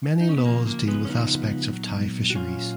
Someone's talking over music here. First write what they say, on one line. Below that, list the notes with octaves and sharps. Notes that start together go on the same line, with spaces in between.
Many laws deal with aspects of Thai fisheries.
D#4
C#4
B3
C#3 F3 A#3
A#3
G#3 B3
C#4
C#3 F3 B3 D#4
A#2 F#3
F#4
A#2 F#3 C#4 F4